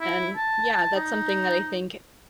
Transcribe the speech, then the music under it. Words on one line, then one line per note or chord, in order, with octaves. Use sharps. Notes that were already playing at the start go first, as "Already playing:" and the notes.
and yeah, that's something that I think
E4
A5
D#4